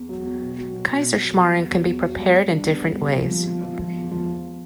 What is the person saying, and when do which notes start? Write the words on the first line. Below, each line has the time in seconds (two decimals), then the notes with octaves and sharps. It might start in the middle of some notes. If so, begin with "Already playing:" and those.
Kaiserschmarren can be prepared in different ways.
Already playing: E2
0.09 F#3
0.25 F#3
0.41 B2
0.58 F#3
0.73 B2
0.89 B2
1.06 B2
1.22 F#3
1.38 F#3
1.54 E2
1.70 F#3
1.86 E2
2.02 F#3
2.18 G3
2.34 G3
2.51 D4
2.66 B3
2.83 G3
2.98 G3
3.15 F3
3.31 F3
3.47 F3
3.63 F3
3.79 F3
3.96 E2
4.11 F3